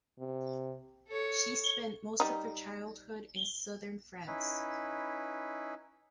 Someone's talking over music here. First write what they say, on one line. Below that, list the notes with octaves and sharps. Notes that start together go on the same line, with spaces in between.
She spent most of her childhood in southern France.
C3
A4 C#5
G3 D#4
C#4 D#4 E4 B4